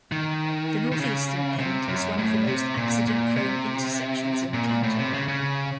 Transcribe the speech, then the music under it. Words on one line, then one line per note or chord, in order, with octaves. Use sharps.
The northeastern end is one of the most accident-prone intersections in the county.
D#3
D#3
C#3
C3
F#2
A2
C3
A#2
A#2
C3
A#2
A2
C3
C#3
C#3